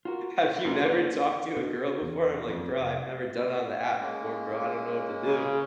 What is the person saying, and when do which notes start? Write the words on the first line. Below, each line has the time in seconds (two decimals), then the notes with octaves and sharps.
have you never talked to a girl before?" I'm like, "Bro, I've never done it on the app before, bro. I don't know what to do."
0.05 F4 F#4 A#4
0.44 E4 C#5
0.65 F#2 A#3 B3
1.57 B2
2.02 E2
2.49 F2
2.71 F1
4.01 G#3 A#3 C#4
5.24 C#3